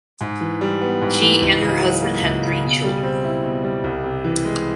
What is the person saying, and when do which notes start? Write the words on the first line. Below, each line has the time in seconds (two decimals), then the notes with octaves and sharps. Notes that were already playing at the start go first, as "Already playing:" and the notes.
She and her husband had three children.
0.21 G#2
0.41 E3
0.61 G3
0.81 B3
1.02 G#2
1.21 E3
1.42 C#2
1.62 C#3
1.83 F#3
2.02 A#3
2.23 C#2
2.43 C#3
2.63 B2
2.83 G3
3.03 C4
3.24 E4
3.43 B2
3.64 G3
3.84 C2
4.04 C3
4.24 E3
4.45 G#3